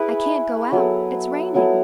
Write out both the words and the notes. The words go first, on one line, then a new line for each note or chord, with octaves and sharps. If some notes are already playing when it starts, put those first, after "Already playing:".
I can't go out, it's raining.
Already playing: E4 G#4 B4 E5
F#3 B3 E4 A4
F#3 B3 E4 A4